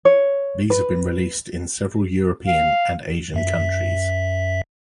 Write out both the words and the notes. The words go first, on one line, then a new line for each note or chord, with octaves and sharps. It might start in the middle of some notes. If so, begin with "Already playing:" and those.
These have been released in several European and Asian countries.
C#5
B4
F5
F#2 E5 B6